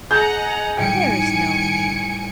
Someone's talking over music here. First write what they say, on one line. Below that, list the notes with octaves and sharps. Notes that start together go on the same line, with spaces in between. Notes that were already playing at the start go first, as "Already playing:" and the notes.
There's no need.
G#4 D#5 F#5 A#5 G6
A2 D#3 G3 G5 G#5 C#7 D7